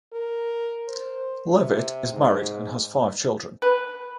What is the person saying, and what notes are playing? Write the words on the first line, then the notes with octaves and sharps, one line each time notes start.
Leavitt is married and has five children.
A#4
C5
C3
G#2
B4